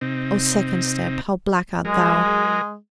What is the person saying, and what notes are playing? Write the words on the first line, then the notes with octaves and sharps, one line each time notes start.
Oh, second step, how black art thou!
C3 C4 D#4
F#3 G#3 G#4 A#4